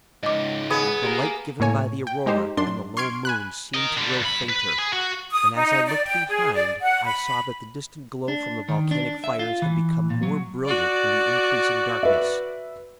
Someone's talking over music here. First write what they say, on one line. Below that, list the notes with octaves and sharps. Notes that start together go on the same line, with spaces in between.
The light given by the aurora and the low moon seemed to grow fainter; and as I looked behind I saw that the distant glow from the volcanic fires had become more brilliant in the increasing darkness.
C#2 G#2 D#5 D6
B3 G#4
A#3 G4 A#4
A2 A#3 C#5 G#5
G5
G#3 D#4 G4 C5
F#2 D4 C6
C6 C#6 F6 G#6 C7 D7
G#5 B5 F#6
A#4 D#5
D3 G3
G2 B5
B4
G#4
F#4
D#6
D#4
D5
G5
G#4
D5
F#5
B5
D4
D#3
D4
E5
F4
E3
A#2
F#3
F#4 D5
B4 E5